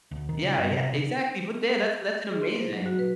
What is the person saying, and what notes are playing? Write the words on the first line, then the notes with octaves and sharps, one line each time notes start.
Yeah, yea exactly, but, the that's that's amazing!
D2
D#3
C#3
G2
C3
C#3
G#4
C6
C5
F#3
F#4
B4